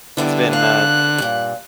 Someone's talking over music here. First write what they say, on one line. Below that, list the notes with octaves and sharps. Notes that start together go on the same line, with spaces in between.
It's been, uh
D3 G3 B3 E4
F5 F#6
G2 A#2